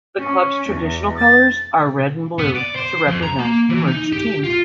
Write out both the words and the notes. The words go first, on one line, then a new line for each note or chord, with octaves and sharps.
The club's traditional colours are red and blue, to represent the merged teams.
C#4
E2
A6
B3
D5
C5
F2
A#5
A#3
E3
D#4
G4
F4